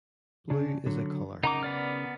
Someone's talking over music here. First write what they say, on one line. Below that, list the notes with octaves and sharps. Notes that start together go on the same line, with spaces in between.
Blue is a colour.
C#3 D4
D3 F#3
C#3 D#4 A#4 F#5 A#5 D6
B3 D5 F6